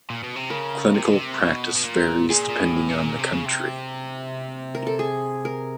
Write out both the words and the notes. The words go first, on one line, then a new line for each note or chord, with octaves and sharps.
Clinical practice varies depending on the country.
A#2
B2
C3
C#3 A#4
C3
B2
C3
B2
B2
A#2
A#2 G#4
A#2
A2
A#2
C3
C#3
C3
A#4
A4
G#4
A#4